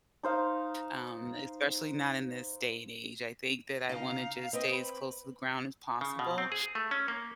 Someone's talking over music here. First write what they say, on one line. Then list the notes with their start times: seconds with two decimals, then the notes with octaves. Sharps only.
um, especially not in this day and age, I think that I wanna just stay as close to the ground as possible,
0.23 D#4 C5 F5
3.89 C#3 D#4 F5
4.53 C4 B4 D#5
4.72 B5
6.01 C#3
6.19 B2
6.38 C4
6.52 G#4
6.75 A3
6.91 C#4
7.08 A#3